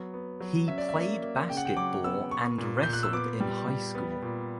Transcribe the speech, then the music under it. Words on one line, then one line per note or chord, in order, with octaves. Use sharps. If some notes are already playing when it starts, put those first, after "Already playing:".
He played basketball and wrestled in high school.
Already playing: F#3 B3
B3
F#3
C#4 E5
D5
E5
A#3
A#3
C#3 G5
F#5
G5
F#3 D6
B3 E6
B3 C#6
A#2
A#2 G6
F#6
E6
B3 D6
G3
G3
B3
A#2